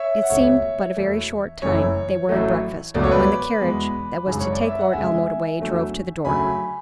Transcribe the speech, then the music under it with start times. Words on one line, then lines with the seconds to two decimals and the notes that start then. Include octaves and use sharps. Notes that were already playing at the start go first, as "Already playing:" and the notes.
It seemed but a very short time they were at breakfast, when the carriage, that was to take Lord Elmwood away, drove to the door.
Already playing: C#5 E5
0.23 F#5
0.30 C#2 B2 A3 C#5 E5
0.96 E2 B2 A3
1.62 F#1 F#2 E3 A3 C#5
2.29 A1 A2 F#3 A3
2.94 C#2 B2 F#3 A3 D5
3.04 C#5
3.11 B4 D5
3.61 E2 B2 G#3
4.26 G#1 F#2 C#3 G#3
4.40 C#5
4.53 D5
4.66 E5
4.79 F#5
4.93 D2 C#3 G#3 E5 G#5
5.60 E2 D3 F#3 A3
6.25 D2 C#3 F#3 A3 G#5 B5